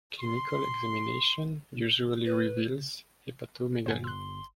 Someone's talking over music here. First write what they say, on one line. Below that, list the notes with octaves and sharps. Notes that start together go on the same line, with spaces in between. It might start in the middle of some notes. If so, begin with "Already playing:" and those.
Clinical examination usually reveals hepatomegaly.
C6
B4
G1 C5 F#5 G#5
C6 E6 F#6